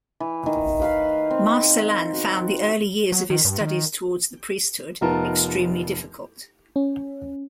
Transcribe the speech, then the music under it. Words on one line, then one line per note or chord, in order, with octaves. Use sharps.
Marcellin found the early years of his studies towards the priesthood extremely difficult.
E3
D#3
B4 F5 B5
C4
F#4
F#3
D#3
G2
D#3
F1 B3 D#4 F4 A#4 A5
C#4